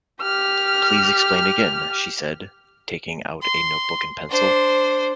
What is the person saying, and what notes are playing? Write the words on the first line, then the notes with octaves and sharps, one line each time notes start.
"Please explain again," she said, taking out a notebook and pencil.
G4 F6
C6
D4 C5